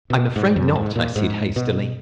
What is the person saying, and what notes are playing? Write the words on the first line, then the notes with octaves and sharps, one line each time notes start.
"I'm afraid not," I said hastily.
B2
G#2
F#2
G#2
A#2
G#2
B2